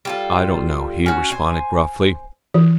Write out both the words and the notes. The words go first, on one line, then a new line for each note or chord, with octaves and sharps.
"I don't know," he responded gruffly.
G3 F4 A4
C#4 F#4
C5 G#5
E3